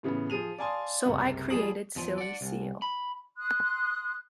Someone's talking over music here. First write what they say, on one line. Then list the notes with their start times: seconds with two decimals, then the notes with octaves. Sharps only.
So I created "Silly Seal".
0.03 A2 C#3 E3 B3
0.30 F3 G#4 D#7 F7
0.58 D5 F5 G#5 A5 C6 D#6
1.05 F#1 C2 C3
1.50 F3 G3 G#4 D#6 F#7
1.96 E2 F3
2.18 D5 F#5
2.41 C2
2.82 B5
3.38 C6 D#6 F#6